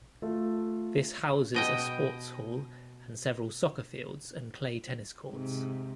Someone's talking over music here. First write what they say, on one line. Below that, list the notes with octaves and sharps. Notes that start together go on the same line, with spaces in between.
This houses a sports hall and several soccer fields and clay tennis courts.
A3 F4 A4
B2 D#5 G5
G#2 C3